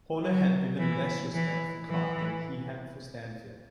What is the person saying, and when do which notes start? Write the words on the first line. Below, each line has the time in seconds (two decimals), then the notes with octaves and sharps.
Horner had even less respect for Clark than he had for Stanfield.
0.23 F#3
0.79 E3
1.35 E3
1.89 E3